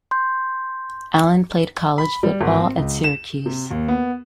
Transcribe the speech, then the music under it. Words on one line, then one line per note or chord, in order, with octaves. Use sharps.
Allen played college football at Syracuse.
C6 G6
B5
G3
G#1
C4
C#2
E7
C3
D#2
B3